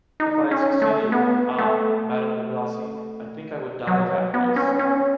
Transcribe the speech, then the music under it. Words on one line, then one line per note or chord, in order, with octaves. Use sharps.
If I had succeeded Ah! Madame de Blacy, I think I would die of happiness.
D#4
C#4
A3
B3
A3
F#3
B3
C#4
C#4